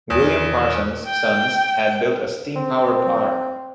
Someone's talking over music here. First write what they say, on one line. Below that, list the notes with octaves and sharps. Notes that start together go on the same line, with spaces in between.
William Parsons' sons had built a steam-powered car.
E2
G5
C4